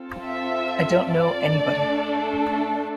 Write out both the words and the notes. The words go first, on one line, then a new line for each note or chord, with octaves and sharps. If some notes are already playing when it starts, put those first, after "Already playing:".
I don't know anybody.
Already playing: C4 F4 A4
E5
D5
A3 D4 A4